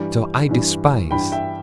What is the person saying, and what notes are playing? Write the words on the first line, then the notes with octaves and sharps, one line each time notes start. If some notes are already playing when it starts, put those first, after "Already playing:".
So I despise.
Already playing: G2 E3 G3
G2 E3 G3
G2 E3 G3 G5 B5
E5 G5